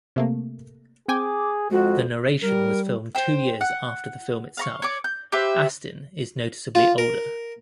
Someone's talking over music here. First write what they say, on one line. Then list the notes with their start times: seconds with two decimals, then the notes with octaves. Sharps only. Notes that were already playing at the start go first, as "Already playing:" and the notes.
The narration was filmed two years after the film itself; Astin is noticeably older.
0.16 C3 A3 A#3
1.08 C4 G#4 G5 G#5 D6
1.70 F2 G#3 F#4
2.42 G3 A#4
3.15 C5 G5
3.61 F#5
4.57 F5 A#5 C#6
4.82 C#5 D5 D6
5.04 G6
5.32 G4 B4 C5 E5
6.75 F4
6.98 A#4